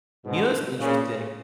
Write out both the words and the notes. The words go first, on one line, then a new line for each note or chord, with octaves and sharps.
You know what's interesting?
G#2 B2
A#2 C#3